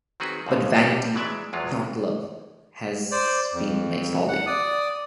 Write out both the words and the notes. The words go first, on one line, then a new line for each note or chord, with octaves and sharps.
But vanity, not love, has been my folly.
D#3 F#3 C4 F#4 G#4 B4
D#2 A2 D3 D#3
G3 G4
E3 F#3 G#3 D5 E5
E2 F3 F#3 G#3 F4
C5 D5
F2
F#5
D5 D#6